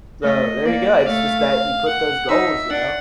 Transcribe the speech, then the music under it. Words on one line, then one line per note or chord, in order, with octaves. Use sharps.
So there you go. It's just that you put those goals, you know.
A3 D#5
A#3 D5
A3 F5
F#5
D#4 E5
D4 F#5